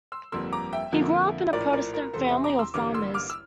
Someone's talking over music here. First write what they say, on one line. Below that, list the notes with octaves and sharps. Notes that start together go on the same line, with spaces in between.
He grew up in a Protestant family of farmers.
C6 E6
G1 F2 D3 G3 A#3 C6 E6
A#5 D6
E5 G5
F2 D3 F3 A#3
A#1 A2 F3 A#4 D5
A#4 D5
A#4
E1 E2 C3 A4 C5
C5 E5
A#5 D6
C6 E6
A1 G2 D3 G3 A#3 D6 F6
C6 E6
D6 F6
E6